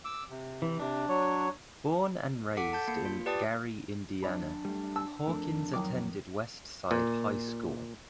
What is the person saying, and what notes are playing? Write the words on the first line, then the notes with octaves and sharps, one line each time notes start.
Born and raised in Gary, Indiana, Hawkins attended West Side High School.
D6 E6
C3
E3
C3 D4
F#3 C#5
A4 F#5 D6 B6 D7
A5 G6
A#3 C#7
F4
G4 B4 D5 G5 A5 D#6
F#2 D4 D5 B5
G3 A3
A5 E6
F2 A3 D4 A#4
D#3 F#3 D6
A#2